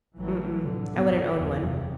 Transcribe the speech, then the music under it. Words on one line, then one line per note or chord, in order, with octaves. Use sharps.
Mm-mm, I wouldn't own one.
A1 E3 F#3 G3 A3
C2 F2 A2 D3
B1 F#2 B3
F#1 E2
C3